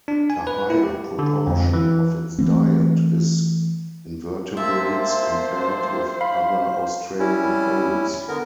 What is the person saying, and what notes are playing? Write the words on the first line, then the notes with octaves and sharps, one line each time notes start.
A higher proportion of its diet is invertebrates compared with other Australian owls.
D4
G#5
B4
E4
G4
D3
F2
E3
E3 A3 C4
A#3 C4 C5 E5 A5
F5 B5
G3 C#4 E4
D3 B3 A#4